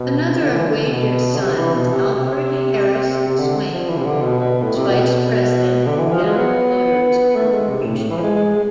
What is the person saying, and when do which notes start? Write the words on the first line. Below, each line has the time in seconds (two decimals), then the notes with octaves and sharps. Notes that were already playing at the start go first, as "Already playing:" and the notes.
Another of Wager's sons, Alfred Harris Swayne, was vice president of General Motors Corporation.
Already playing: B2
0.32 C3
0.41 D3
0.53 E3
0.66 D3
0.85 C3
0.91 B2
1.35 D3
1.41 C3
1.57 E3
1.74 B2
1.91 C3
2.15 C3
3.28 C3
3.39 D3
3.72 F3
3.88 E3
3.98 C3
4.05 D3
4.21 B2
4.38 B2
4.63 A2
4.76 C3
4.88 B2
5.87 D3
5.99 E3
6.12 F3
6.24 G#3
6.37 B3
7.36 A3
7.53 G#3
7.69 C3
7.85 A2
7.98 A2
8.10 E3
8.17 F3
8.22 G#3
8.35 G#3
8.56 G#3